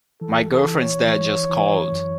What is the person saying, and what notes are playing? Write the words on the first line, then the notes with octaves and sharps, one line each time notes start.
My girlfriend's dad just called.
E3 A4
A4
E3
C#5
E3 C#5
E3
F#2